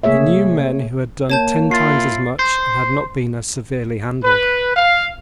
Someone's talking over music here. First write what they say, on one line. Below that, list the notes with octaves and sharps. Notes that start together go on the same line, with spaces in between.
He knew men who had done ten times as much and had not been as severely handled.
C3 A3 A#3 G#4 C#5 E5
A#3 C#5 A5 G6
E4 F4 A6 C7
C5
B4
F5